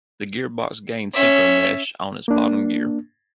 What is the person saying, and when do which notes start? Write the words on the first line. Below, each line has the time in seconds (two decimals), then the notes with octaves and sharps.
The gearbox gained synchromesh on its bottom gear.
1.14 C#4 E5
2.28 A#3 D4